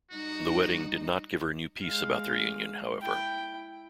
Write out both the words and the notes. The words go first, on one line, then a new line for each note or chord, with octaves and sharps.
The wedding did not give her new peace about their union, however.
G3 D#4 F#4
G#3 F5
E4 G5